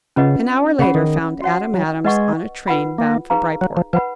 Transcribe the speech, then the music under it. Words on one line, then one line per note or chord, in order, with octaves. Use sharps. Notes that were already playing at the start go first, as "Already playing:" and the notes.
An hour later found Adam Adams on a train bound for Bryport.
C#3 C#4 F4 B4 D#5 F#5
C#3 C#4 G#4 C#5 F#5 B5
D#3
F#4 C#5 F#5
F#3
G#3 B4 D#5 F#5 C#6
F4 B4 F#5 B5
A#3
D#4 G#4 B4 F5 A#5
F#3
F3
F3 B4 F#5 B5